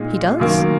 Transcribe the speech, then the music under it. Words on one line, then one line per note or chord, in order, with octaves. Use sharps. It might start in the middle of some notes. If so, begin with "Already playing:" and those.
"He does?"
Already playing: A#2 G#3 D#4
F#2 D#3 A#3